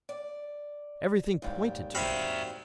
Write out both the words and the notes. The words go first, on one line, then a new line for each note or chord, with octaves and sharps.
Everything pointed to it.
D5
D#2 G#2 G3
C4 F#4 E5 F5 B5